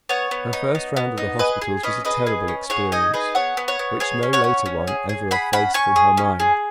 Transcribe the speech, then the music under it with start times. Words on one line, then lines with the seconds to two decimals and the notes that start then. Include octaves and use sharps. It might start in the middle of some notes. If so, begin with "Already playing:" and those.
Her first round of the hospitals was a terrible experience, which no later one ever effaced from her mind.
0.09 B3 C#5 F#5
0.31 B3
0.53 D#4
0.75 B3
0.96 B3
1.18 D#4
1.39 G#4 B4 D#5
1.61 G#4
1.83 C#4 B4 D#5
2.05 G#4 B4 D#5
2.27 G#4
2.48 C#4
2.70 G#4 C#5 F#5
2.92 D#4 D#5 G#5
3.14 G#4 B4 D#5
3.35 B3 C#5 F#5
3.57 B3
3.68 C#5 F#5
3.79 B3
4.00 G#4 C#5
4.23 C#4
4.33 C#5 F#5
4.44 C#4
4.66 C#4
4.87 G#4
5.09 G#4
5.31 G#4 F#5 B5
5.53 C#4 F#5 B5
5.74 C#4 G#5 C#6
5.96 G#4
6.17 C#4
6.40 G#4